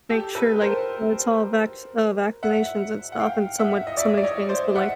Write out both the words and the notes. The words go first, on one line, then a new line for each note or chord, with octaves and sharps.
make sure, like, it's all vax uh, vaccinations and stuff and somewhat so many things. But, like,
G4 A4
A4 B4
A#4 C5
E5 F#5
F#5
F5 G5
E5 F#5
D#5
D5 E5
D5
C#5 D#5
C5 D5
E5 F#5